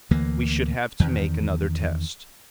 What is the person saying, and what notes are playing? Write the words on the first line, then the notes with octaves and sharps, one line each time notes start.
We should have to make another test.
D2 E3 A#3
E2 D#3